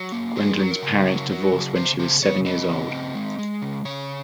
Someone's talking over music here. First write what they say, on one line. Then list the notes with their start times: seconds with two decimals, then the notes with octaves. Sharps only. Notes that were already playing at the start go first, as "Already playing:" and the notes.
Gwendolyn's parents divorced when she was seven years old.
Already playing: F#3
0.12 A#3
0.36 F#3 G#4
0.59 F#3
0.71 A#4
0.82 C#3
1.06 F#3
1.29 F#3
1.52 C#3
1.76 C#3 C5
1.99 C#3 C5
2.22 C#3 C#5
2.45 C4 D#5
2.69 C#3
2.91 C4
3.15 G#3
3.39 G#3
3.62 C#3
3.85 C#3 C#5